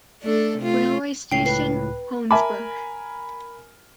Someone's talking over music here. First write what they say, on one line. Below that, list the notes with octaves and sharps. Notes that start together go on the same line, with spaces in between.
Railway station: Hoensbroek.
A3 D4 A4
C3 A3 F4
C#2 A2 G5 C7
B4 C7
A#4 E5 G#5 A5 B5 D6